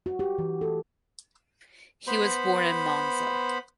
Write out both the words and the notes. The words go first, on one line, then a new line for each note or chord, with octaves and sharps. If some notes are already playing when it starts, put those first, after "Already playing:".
He was born in Monza.
F#4
G4
E3
A4
B3 C5 B5